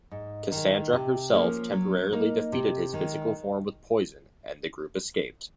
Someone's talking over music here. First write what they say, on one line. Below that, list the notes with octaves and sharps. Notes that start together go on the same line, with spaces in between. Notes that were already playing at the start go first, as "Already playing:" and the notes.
Cassandra herself temporarily defeated his physical form with poison, and the group escaped.
G#2
D#3 G#3
C3
F3 A#3 C#4
F#3
A#3 D#4
C3
D#3 G#3